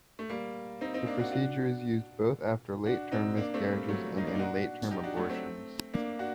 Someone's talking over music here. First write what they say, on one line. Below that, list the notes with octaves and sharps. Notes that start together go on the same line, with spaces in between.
The procedure is used both after late-term miscarriages and in late-term abortions.
A3
G3 A#3
C4 D#4
C4 D#4
A#3 D4
D4 F#4
D4 F#4
D4 F#4
C4 D#4
A#3 D4
A3 C4
G3
F#3 A3
D#4
A#3 D4
D#4
D4 F#4
D#4 G4
D4 F#4
F#3 A3
A3 C4
A#3 D4
D4 F#4